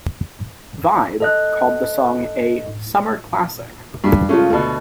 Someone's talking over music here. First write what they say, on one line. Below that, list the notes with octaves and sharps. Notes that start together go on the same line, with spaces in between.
"Vibe" called the song a "summer classic".
A4 D#5 F#6
G2
C#3 G#3 A3 C#4 F4
D2 B2 A4